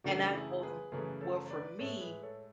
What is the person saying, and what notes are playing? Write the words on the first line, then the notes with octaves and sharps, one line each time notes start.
And I told him, "Well, for me,
F#2 C#3 E3 A3 D4 F#4
E4 G#4
G#4 B4
F#2 C#3 E3 A3 G#4 B4
A4 C#5
B4 D5
A2 G#3 A4 C#5
G#4 B4
A4 C#5